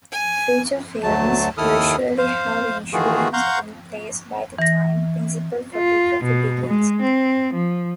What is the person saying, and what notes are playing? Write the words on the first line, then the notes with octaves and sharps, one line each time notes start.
Feature films usually have insurance in place by the time principal photography begins.
G#5
D2 F#3 A3 A5
D#2 D#3 E4 A4 D#6 F6
C5 F5
D#3 E3 A3 F4 F#4 G#4
F5 F#5 A#5 C6 C#6 G6
E3 A#6
F4
B2
G#3
C4
F3